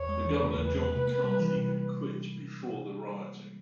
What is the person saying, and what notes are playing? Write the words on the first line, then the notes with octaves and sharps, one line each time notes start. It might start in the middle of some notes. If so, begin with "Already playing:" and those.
The governor, John McCarthy, had quit before the rioting.
Already playing: E2 C#5
G#3
E3
C#3 B4
E2
G#3
C3
A#3
G3
E3
C3